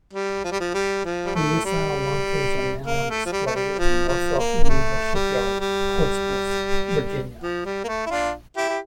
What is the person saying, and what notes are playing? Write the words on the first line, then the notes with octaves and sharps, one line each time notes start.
Her missile launchers are now on display at the Norfolk Naval Shipyard, Portsmouth, Virginia.
G3
F3
G3
F3
G3
F3
G3
A3
G3
A#3
A3
F3
G3
A3
G3
F3
F3
A#3
A#3
A3
G3
G3
F3
G3
A#3
A3
E4
D4 F4
E4 G4
G4